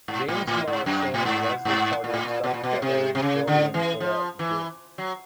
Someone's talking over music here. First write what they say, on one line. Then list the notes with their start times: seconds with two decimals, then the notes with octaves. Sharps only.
James Morrison and Leslie Carter stuck together and filled in for that gig.
0.08 G#2
0.28 A2
0.47 A2
0.68 G#2
0.86 F#2
1.14 A2
1.25 G#2
1.65 G#2
2.04 A#2
2.14 A2
2.25 A#2
2.44 B2
2.54 A#2
2.64 B2
2.82 C3
3.15 C3
3.22 C#3
3.47 D3
3.74 E3
4.00 F3
4.39 E3
4.98 F#3